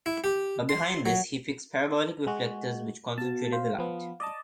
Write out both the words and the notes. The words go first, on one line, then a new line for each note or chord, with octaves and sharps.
But behind this he fixed parabolic reflectors which concentrated the light.
E4
G4
C6
F#3
G#3 F#4
B3 F#4 A5
C5 F5
F3 B3
D5 D#5 A5